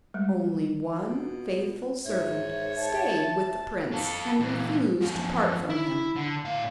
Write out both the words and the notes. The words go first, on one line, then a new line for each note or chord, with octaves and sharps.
Only one faithful servant stayed with the prince and refused to part from him.
G3 G#3
B2 F4
G#2 C#5 E5
A5
F4 A4
A#2 E3
F#2 F3
E4
D3
A2 F5